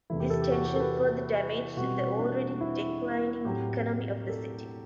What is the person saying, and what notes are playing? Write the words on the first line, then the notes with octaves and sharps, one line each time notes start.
This tension further damaged the already declining economy of the city.
E2 C3 E3 A3 E4
G4
A4
G4
F#4
G4
A4
B4
B2 G3 C4 F#4
D4
E4
A2 F#3 C4 G4
A4